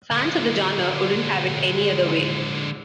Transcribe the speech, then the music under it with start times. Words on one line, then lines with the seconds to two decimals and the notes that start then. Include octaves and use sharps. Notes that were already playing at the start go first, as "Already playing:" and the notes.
Fans of the genre wouldn't have it any other way.
0.11 D3 G#3